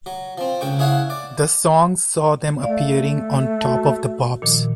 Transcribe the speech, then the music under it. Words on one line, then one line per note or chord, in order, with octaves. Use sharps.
The songs saw them appearing on "Top of the Pops".
F#3
F3 C4
C#2 C#3 G5 C#6
E4 G#4 C#5 F5 F#5
D5
A3 D5 F5
F#4 A5
A#2 D#3 F3